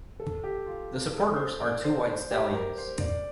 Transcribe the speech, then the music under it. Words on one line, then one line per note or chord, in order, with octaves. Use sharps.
The supporters are two white stallions.
A4
G4
F4
A4
C5
D5
C5
G4
A#4
C5
D5